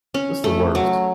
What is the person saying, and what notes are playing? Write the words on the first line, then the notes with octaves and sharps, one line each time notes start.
It's the worst.
C#4
A3
F#3